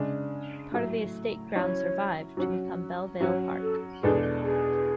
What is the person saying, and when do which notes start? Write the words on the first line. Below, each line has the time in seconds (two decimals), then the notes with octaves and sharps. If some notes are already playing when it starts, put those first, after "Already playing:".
Part of the estate grounds survived to become Belle Vale Park.
Already playing: C#3 G#3 D4
0.72 A2 F#3 A3
1.55 F#3 C#4 E4 C#5 D#5
2.37 F#3 C#4 F#4
3.20 F#3 C#4 F#4 C#5
3.62 A4
4.03 E2 B2 G#3 D4 G#4 A4
4.44 G#4